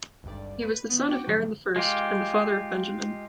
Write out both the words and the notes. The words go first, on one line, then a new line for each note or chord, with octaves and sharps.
He was the son of Aaron I and the father of Benjamin.
G#1 D2 G2 D5
B4
D#3 B3
F#4 G5 C#6 D6
G#2 D3 F3 F#3
G#3 F4 G4